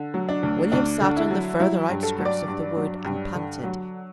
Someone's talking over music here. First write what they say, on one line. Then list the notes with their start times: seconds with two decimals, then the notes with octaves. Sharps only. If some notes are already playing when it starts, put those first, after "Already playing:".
William sat on the further outskirts of the wood and panted.
Already playing: D3
0.14 F#3
0.29 D4
0.43 D2
0.72 D2 D4
1.01 D3
1.16 E4
1.31 F#3
1.60 F#3 E4
1.89 G2
2.03 A4
2.19 F#3
2.25 D5
2.48 G2
2.76 F#3
3.05 G2
3.35 D3
3.64 F#3